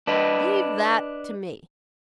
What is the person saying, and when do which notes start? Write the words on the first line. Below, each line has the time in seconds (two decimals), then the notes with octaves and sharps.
"Leave that to me."
0.07 D4 B4 D#5